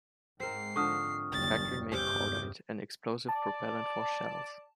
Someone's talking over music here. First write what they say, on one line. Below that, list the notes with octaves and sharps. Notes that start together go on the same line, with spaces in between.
The factory made cordite, an explosive propellent for shells.
G#2 C4 A#4 C7
D3 F3 C#6 D#6 F6
F#1 D#2 G3 A6
E2 G2 C3 C#4 D6 G6
D5 A5